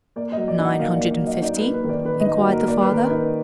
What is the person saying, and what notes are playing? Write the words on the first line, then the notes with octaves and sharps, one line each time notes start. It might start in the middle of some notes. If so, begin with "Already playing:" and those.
"Nine hundred and fifty?" inquired the father.
A#3 D5
D#5
F#3
D5
D#4 F#5
A#2 F5
D5
A#3
D5
F#3
D#5
D#4 D5
B4
A#3
B4
D#3 D5
D#3 B4
D#5
D#4
F#4
A#3 A#4
A#3 D5
B4
D#3 A#4
B4
D#4